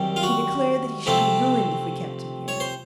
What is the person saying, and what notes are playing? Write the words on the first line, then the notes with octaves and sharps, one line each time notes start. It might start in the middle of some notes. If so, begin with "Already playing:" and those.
He declared that he should be ruined if we kept him here.
Already playing: F#2 D#3 G3 C4
F4
F#4
C3 F3 A3 C4
C#5
C5